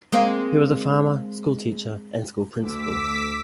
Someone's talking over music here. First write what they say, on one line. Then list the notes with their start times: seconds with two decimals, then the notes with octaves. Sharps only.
He was a farmer, school teacher and school principal.
0.12 G#3 A#3 C4
2.60 D2 D6 E6 B6